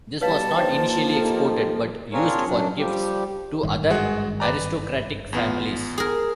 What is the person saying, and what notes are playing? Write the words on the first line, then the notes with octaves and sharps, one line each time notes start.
This was not initially exported, but used for gifts to other aristocratic families.
B2 G3 B4 C#5 F5 A5
D3 F3 A#3 D#4 C5 C#5 G5
D#4 G4 A4
C4 D4 F4 G#4 A#4 C#5
F#2 F#3 D4
F3 G3 G4
G#1 G2 D#3
G#3 F#4 G#4
B4 D5 A#5
E2 B3 F4
G#4 A#4